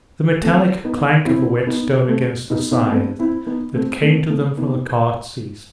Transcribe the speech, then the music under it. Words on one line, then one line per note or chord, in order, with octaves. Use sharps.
The metallic clank of a whetstone against a scythe, that came to them from the cart, ceased.
A3 C4
B3 D#4
C4 E4
B3 D#4
A3 C4
B3 D#4
B3 D#4
B3
A3 C4
C4 E4
B3 D#4
A3 C4
A3 C4
A3 C4
B3 D#4